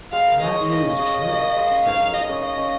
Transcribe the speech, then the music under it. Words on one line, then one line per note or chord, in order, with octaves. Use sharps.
"That is true," said Ward.
G#3 F5
A#4
C#5 D#5
G#3
A#3 D#5
C#4
G#4 D#5
C#4
A#3
A#3
G#3
C#4
D#4 F5
D#4
G#4 D#5
C#4
D#5 F5
C#4